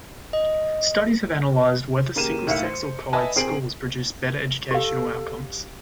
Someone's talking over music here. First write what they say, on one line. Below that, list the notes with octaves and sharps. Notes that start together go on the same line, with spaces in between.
Studies have analyzed whether single-sex or co-ed schools produce better educational outcomes.
D#5
C#3 A#3 G4 D#7 E7
D#2 A2 E5 F5 C#7
C5
B4 D#5 E5 G#5 A5 B5
A#2 C4 G#4 C7 D7 F#7
G4 A4 F5